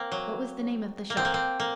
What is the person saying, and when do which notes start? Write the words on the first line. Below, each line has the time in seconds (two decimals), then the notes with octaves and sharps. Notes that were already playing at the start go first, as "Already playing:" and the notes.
"What was the name of the shop?"
Already playing: A#3 C4
0.12 F#3
1.10 A#3
1.17 C4
1.25 A#3
1.34 C4
1.60 A#3